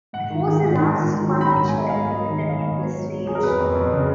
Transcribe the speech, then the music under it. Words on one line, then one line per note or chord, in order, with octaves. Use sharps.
It holds the largest market share in Britain in this range.
G#2 F#5
D#3
D#3
G#2
D#3
G#2
D#3
F#3
B5
G#2 A#5
G#2
G#5
G#2
F5
G#2
F#3 D#5
D#3
G#2 F5
G#2 D#5
F#3 C#5
F#3
F#3
F#3 G#4
A#4
F2 B4
F2
F2
C#3